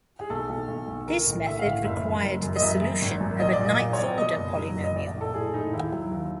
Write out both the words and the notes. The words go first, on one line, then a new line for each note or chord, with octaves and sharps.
This method required the solution of a ninth order polynomial.
G#4
B1 A4
B1
B1
B1
D3 A#4
A1
D3 E5
F5
A1
F5
F#1 E5
F#2
F#1
F#2
D#5
F#2 E5
F#2
G#1
F#2
A#1 D#5
D5
A#2
D#5
A#2
C#5
A#2 D5
B2 D#5
F#1
F#3
F#1
D#5
A#1 D5
A#1
A4
A2 G#4
A2 D#4
D#2 E4
F#3
D#2